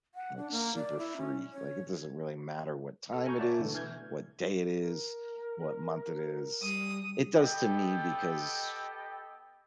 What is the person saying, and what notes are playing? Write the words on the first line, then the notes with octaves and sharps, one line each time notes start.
like, super free. Like it doesn't really matter what time it is, what day it is, what month it is. It does to me because,
F#5
D4
A#3
D5
E4
C#4
C#5
A4 F6
G#5 A#5 C#6 G6
C#5 D5 E5 F#5 A5
B2 D3 E3 A3
E3 F6 G6 G#6
A#4
G3 D#6
B3 G4 A4 D#5 G5